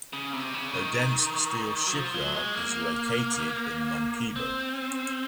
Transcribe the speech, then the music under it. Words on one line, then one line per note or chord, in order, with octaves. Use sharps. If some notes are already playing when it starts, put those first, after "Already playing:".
Odense Steel Shipyard is located in Munkebo.
C#3
C3
C#3
D#3
F#3
F3
F#3
G#3
A#3
C4